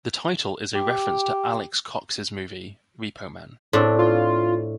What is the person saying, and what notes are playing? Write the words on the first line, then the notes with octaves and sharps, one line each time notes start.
The title is a reference to Alex Cox's movie "Repo Man".
G4
A2 C4 D4
F4